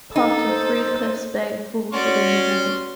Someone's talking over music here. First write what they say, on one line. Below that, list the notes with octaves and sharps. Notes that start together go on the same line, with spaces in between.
Part of Three Cliffs Bay falls within the ward.
D#4 A4
C5
C#4 F#4 D5 C6